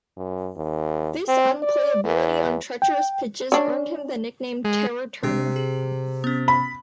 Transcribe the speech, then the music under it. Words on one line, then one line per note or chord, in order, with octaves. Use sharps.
This unplayability on treacherous pitches earned him the nickname "Terror" Turner.
F#2
D#2
C4
D5
E2
G5
C#4 D4
G#3
C3 D4
G#4
B3 C#4
B5